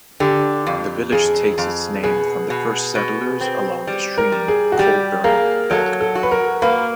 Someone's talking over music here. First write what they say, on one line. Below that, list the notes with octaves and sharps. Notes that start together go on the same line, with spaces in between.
The village takes its name from the first settlers along the stream Colburn Beck.
D3 G4
F2
F2 G#4
F2
B2 G#4
B2
B2
C4
G3
A#4
G3
G#4
F#4
G3 G4
A#3 G#4
F#3 A4
A4
F#4
B4
A#4
A#3 B4